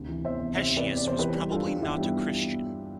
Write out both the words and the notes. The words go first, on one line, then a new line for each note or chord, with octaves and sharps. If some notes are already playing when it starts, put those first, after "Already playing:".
Hesychius was probably not a Christian.
Already playing: D2 C3
E3
E2 C5 E5
E2
C3 C5 E5
E3
B4 D5
E2
D5
E2 C5
E3 G4 B4
G3
G2 F4 A4
G2
E3 E4 G4
G3
B3